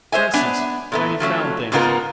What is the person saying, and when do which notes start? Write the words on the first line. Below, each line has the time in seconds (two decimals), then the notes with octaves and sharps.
For instance, where he found things?
0.12 C5 C#5 E5 G#5
0.34 B3 D4 G#5
0.92 A#2 A3 B3
1.20 F3 F#3 A3 C#4
1.72 G#2 C#3 A#3 B3 F4 A#4